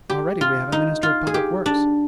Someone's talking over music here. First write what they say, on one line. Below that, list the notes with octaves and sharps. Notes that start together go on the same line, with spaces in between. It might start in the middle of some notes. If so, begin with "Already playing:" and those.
Already we have a minister of public works.
G4
F4
D#4
F4
G#4
G4
D4